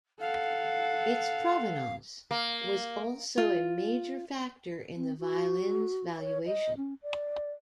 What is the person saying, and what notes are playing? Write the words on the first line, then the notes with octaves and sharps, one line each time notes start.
Its provenance was also a major factor in the violin's valuation.
A4 F5 F#5
A#3
F4
C4
F#4
C#5
D#5
C#4
D5